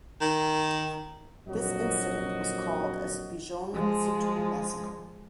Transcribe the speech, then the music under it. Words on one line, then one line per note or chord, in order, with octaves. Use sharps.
This incident was called as Bijon Setu massacre.
D#3
A#1 F2 F#3 F#4 D#5
F3 G#3